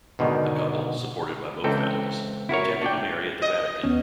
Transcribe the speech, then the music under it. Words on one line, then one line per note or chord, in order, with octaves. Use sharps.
The couple, supported by both families, intended to marry at the Vatican.
G#2 B2 D3 D#3
C#2 E3 C4 A4 G5 A#5
E4 F#4 A#4 C#5
D4 C#5 D5 G5
D#5
D#2 B3 C#4